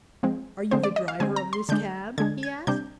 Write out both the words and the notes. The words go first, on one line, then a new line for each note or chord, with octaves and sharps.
"Are you the driver of this cab?" he asked.
F3 G#3 C4
D3 G#3 C4 C5
D5
D#5
F5
D3 G#3 C4 G#5
A#5
C6
D3 G#3 D4 G6
D3 G#3 D4 G#6
G#6
C3 G3 D4 G6